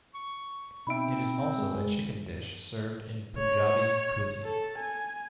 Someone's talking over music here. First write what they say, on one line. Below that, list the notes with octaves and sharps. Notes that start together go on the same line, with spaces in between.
It is also a chicken dish served in Punjabi cuisine.
C#6
B2 C4 D#4 E5 B5 D7
G#3
C#5
A4
G#5